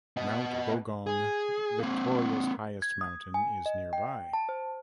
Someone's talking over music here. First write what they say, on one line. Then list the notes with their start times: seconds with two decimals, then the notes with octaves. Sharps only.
Mount Bogong, Victoria's highest mountain, is nearby.
0.17 B3 D#5
1.07 G#4
1.80 A#3 C4
2.82 G#6
3.01 D#6
3.34 G#5
3.66 D#5
3.93 G5
4.33 A5
4.49 C5